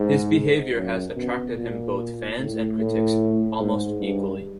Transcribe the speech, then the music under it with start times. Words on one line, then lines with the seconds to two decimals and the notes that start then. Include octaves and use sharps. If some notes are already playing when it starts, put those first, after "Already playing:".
His behavior has attracted him both fans and critics almost equally.
Already playing: G#2
0.76 F#2
1.16 B2
1.56 A#2
2.38 A2
2.79 A2
3.60 G#2
4.01 G2